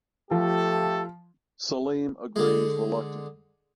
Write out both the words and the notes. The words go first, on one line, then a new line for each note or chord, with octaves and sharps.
Saleem agrees reluctantly.
F3 A3 G4 A4
D3 G#3